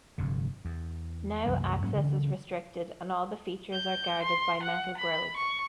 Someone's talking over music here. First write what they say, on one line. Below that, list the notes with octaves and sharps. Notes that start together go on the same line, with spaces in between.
Now, access is restricted, and all the features are guarded by metal grilles.
F1 G2 D3
E2
C2 F#2 E3 A#3
G#2 F#3 A#3 C#4
D2 C#3 E3 C#4
G6
C6
F#5
B5
C#6